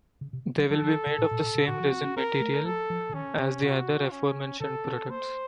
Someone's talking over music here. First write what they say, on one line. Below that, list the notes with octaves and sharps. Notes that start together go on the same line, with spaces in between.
They will be made of the same resin material as the other aforementioned products.
C#3
C3
A#3
F#3
F#3 A4
F3
C#3
A#2
A#2
A#2
C3
A#2 F#4
F3
C4
C#4
C4 A#4
A3
F3 A4
F3
C#3
D#3 C#4
C#3
C3 F#4
C#4
C#3 A4
C4
A#3 C5